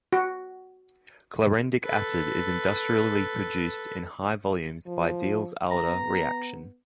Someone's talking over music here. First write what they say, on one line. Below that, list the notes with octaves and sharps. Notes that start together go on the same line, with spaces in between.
Chlorendic acid is industrially produced in high volumes by Diels-Alder reaction.
F#4
A4 B4
F3
B3 A#5